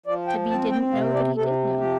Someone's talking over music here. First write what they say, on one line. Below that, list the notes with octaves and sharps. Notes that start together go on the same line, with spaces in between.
Tibby didn't know that he did know.
F3 D5
G5
C4 A5
G5
C3 F5
D5
C3 A4
F3 G4